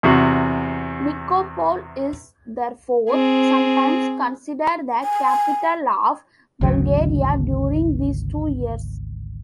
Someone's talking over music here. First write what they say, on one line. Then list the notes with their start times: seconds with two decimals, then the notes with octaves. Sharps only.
Nikopol is therefore sometimes considered the capital of Bulgaria during these two years.
0.03 E2 C3 F#4
3.10 C4 G#4
5.04 G#5
6.61 G#1 D2 C#3 F#3